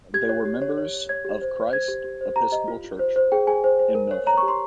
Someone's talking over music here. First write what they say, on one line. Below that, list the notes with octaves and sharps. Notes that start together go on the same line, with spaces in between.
They were members of Christ Episcopal Church in Milford.
G4 G#6
C#5
G4
C#5
C#5
C#5
C#5 G#6
G4
C5
C5
C5 G#6
G4
G4
C5
G4 A#5
G4 D#5
F4
F4
C5
C5
G#4 G5
G#4 G#5
C5
C5
A#4
C#5
C#5 A#5
C#6
G4
C6